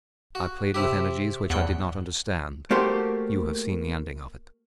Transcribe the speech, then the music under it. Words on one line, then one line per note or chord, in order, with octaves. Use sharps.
I played with energies which I did not understand, you have seen the ending of it.
F#4
C3 E4 G4
E2 F#5 G5
A3 A#3 F#4 G4 C5